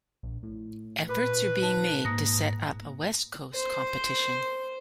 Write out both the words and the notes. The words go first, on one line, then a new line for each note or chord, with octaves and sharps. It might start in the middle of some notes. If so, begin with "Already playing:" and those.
Efforts are being made to set up a west coast competition.
A#1
A2
A#2 B4 B5
D#3 A5
G#2 A#3 D#6 A#6
C5